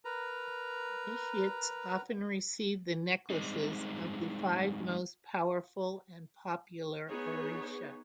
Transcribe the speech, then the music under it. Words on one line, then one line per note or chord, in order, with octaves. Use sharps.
Initiates often receive the necklaces of the five most powerful and popular oricha.
A#4 B4 A#5
G3 G#3 C4 D#4
B3 D#4 G#4 C#5